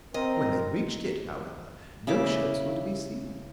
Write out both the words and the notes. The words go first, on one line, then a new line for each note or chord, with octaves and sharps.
When they reached it, however, no ships were to be seen.
C4 A#4 D#5
C#3 E4 D6